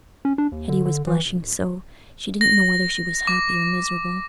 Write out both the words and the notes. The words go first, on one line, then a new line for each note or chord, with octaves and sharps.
Hetty was blushing so, she didn't know whether she was happy or miserable.
C#4
D4
D#2
D3
D3
E3
E1
D1
A#6
D6